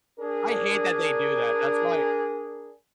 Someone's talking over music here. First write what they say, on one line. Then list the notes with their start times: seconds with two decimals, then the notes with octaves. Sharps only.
I hate that they do that, that's why
0.19 D4 G#4 A#4